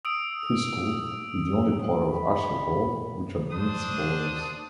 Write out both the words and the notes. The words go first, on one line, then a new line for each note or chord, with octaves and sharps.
Pre-school is the only part of Ashley Hall which admits boys.
D#6 E6 D7
B5
D4 C5 D#6